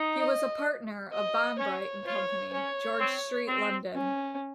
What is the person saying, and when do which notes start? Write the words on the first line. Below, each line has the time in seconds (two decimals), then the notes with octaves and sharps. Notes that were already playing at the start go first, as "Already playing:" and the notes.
He was a partner of Bonbright and Company, George Street, London.
Already playing: D#4
0.18 D#5
1.12 D#5
1.58 C#4 C#5
2.06 F4 C#5
2.53 C#4 C#5
3.00 C4
3.47 C4
3.95 C#4